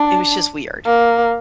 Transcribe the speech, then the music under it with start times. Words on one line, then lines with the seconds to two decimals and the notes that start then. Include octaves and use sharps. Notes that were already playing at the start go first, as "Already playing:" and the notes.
it was just weird.
Already playing: D4
0.86 A#3